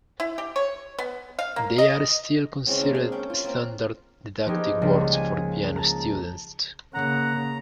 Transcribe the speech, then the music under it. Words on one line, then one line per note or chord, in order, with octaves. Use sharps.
They are still considered standard didactic works for piano students.
E4
G4
C#5
B3
F5
A#3
D#5
C#3 G#3 C4 C#4
G#3 A#3 D4
G#4
C#4 G5
F4
A#3 C4
F3 A#3 B3 D#4 G4 G#4
C#2 C#3 F3 G3 A#3
G#5 D#7
A5 A#5
C#3 A#3 F#5 A#5